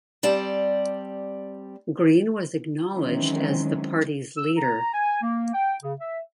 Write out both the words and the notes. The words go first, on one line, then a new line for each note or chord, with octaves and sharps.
Green was acknowledged as the party's leader.
G3 C4 D5 A5
D#3 E3 F#3 G#3 C4 C#4
E6
A#5
G#5
A#3
G5
C#3
E5